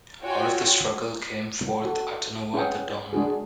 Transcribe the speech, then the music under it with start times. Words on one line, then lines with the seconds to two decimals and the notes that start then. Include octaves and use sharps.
Out of the struggle came forth Atanua, the dawn.
0.22 F4 F#4 C#5 G5 G#5
1.85 F#4 A4
2.54 C#4 G#4 B4 F#5 G5
3.13 G#3 D4 F#4 G#4